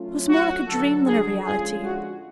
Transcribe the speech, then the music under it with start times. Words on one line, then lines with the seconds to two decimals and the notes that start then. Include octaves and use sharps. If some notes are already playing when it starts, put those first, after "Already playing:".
It was more like a dream than a reality.
Already playing: F#3 A3 C#4 F4
0.29 F#4
0.68 D2 D3 F#3 A4
1.06 G#4
1.45 F2 D3 G#3 C#4 F4 G#4
1.83 F#4